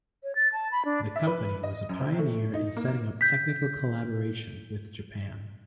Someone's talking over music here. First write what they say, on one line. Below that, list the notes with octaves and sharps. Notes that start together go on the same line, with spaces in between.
The company was a pioneer in setting up technical collaboration with Japan.
C#5
A6
A5
B5
D4
E5
B4
D#5
F#2
C3
A3
D#4
A#3
G6 B6